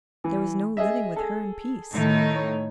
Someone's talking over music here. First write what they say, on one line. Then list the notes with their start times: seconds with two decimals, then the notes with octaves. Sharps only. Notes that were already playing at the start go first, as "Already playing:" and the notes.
There was no living with her in peace.
0.24 E3
0.77 G#4 D#5 E5
1.16 G#4 A4
1.93 A2 D#3 D#4
2.36 C#5